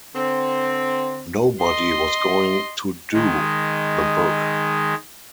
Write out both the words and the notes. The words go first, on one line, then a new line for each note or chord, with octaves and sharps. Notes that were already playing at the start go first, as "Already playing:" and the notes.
Nobody was going to "do" the book.
D3 C4
D#5 C6
D#3 G#3